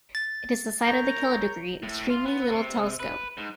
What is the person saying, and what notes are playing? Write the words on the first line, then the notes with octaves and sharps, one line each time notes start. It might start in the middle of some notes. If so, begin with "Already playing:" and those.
Is the site of the Kilodegree Extremely Little Telescope.
A6
A#4 C#5 A#5 G6
A2
F4
B3
C3
B4
G#2